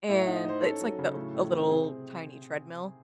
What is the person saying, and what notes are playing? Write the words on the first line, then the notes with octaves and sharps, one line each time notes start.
and it's like the a little, tiny treadmill.
A2 E5
F#5
D#4
D#5
D#4 C5
C#4 A4
F#3
C#3
A2
A2
C4
C3 G#4